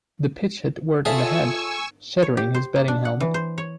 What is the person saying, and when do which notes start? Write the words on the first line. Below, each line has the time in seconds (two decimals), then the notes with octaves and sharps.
The pitch hit Wert in the head, shattering his batting helmet.
1.05 F4 G#4 A4 C#5 E5 G#5 C#6 E6
2.22 C#5
2.37 G4
2.54 C5
2.76 A#3
2.88 D4
3.05 F#5
3.20 E3
3.34 C5
3.58 C#5